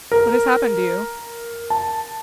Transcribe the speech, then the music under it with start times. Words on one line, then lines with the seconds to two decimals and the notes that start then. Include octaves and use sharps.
What has happened to you?
0.12 A#4
1.70 A5